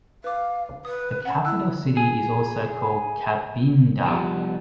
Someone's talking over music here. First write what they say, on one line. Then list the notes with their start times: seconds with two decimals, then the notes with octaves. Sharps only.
The capital city is also called Cabinda.
0.24 B4 F5 D6
0.85 B4 D#6
1.25 C#4 F#5
1.45 E4 E6 F#6
1.97 G#4
4.06 C2 B2 F3 G3 B3